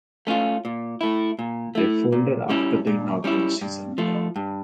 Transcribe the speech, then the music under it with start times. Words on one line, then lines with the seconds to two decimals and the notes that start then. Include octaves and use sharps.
They folded after the inaugural season.
0.27 A3 C#4 F4
0.65 A#2
1.01 A3 E4
1.39 A#2
1.75 A3 E4
2.12 A#2
2.49 G3 C#4 E4
2.87 A#2
3.24 G3 C#4 E4
3.61 G2
3.98 F3 A3
4.36 G2